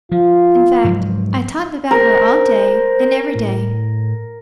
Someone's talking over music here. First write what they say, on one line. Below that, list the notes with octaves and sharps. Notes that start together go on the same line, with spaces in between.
In fact, I talked about her all day and every day.
F3 F4
G#2 F3 F#3
A#4 C5
A2